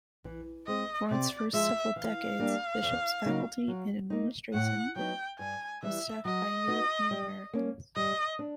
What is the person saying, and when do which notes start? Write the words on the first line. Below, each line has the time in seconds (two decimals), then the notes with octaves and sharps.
For its first several decades, Bishop's faculty and administration was staffed by European Americans.
0.25 E3
0.67 G#3 C4 D#5
1.10 C3 D5
1.53 F3 G#3 E5
1.96 E3 F5
2.39 G3 A#3 D4
2.82 E2
3.25 C#3 F#3 A#3 D#4
3.68 F#3
4.10 A#3 D#4
4.54 A2 F#5
4.96 F#3 B3 D#4 G5
5.39 G2 G#5
5.83 E3 G3 E5
6.25 F#3 D#5
6.67 B3 D#4 F#4
7.11 G3
7.53 A#3 C#4
7.96 G3 D#5
8.39 D4